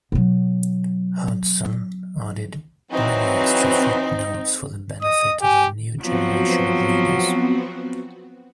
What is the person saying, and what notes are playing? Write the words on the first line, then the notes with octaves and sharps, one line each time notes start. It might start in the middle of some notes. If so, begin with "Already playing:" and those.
Hudson added many extra footnotes for the benefit of a new generation of readers.
B2 F#3
E3 F#3 C4 D#4
D#5 D#6
G4 G#5
F3 F#3 B3 C4 F#4